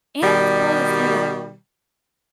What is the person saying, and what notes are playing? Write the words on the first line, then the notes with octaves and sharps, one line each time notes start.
And it's cool to see that
B2 D#3 G3